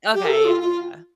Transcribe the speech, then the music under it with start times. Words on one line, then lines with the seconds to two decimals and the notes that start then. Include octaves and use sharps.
Okay, yeah, yeah.
0.14 G4
0.25 A#4
0.30 A4
0.45 F4
0.61 F4